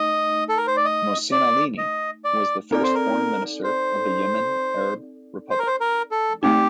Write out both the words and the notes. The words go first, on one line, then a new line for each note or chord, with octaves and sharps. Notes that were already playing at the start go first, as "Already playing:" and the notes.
Mohsin Alaini was the first Foreign Minister of the Yemen Arab Republic.
Already playing: A3 D#4 D#5
A4
A#4
C5
D5
D#5
D5
D#5
D5
C4 D#4 A4 A#4 D5
C5
A#4
C5
C5
A#4
C5
A#4
A4
A3 C4 D#4 G4